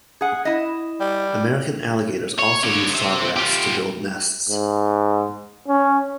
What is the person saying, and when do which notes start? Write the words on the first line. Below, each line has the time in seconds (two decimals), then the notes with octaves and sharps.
American Alligators also use sawgrass to build nests.
0.21 G#4 F#5
0.45 E4 D#5
1.00 G3
2.38 C#5
2.63 D3 C#5
2.95 C4 E5
3.36 F4 G4
4.49 G#2
5.68 C#4